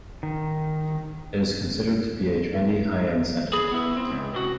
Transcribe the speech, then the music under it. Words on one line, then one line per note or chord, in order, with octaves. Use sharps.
It is considered to be a trendy high-end center.
D#3
G#4 B5
B3 E4
C4
C#2
C3 F#4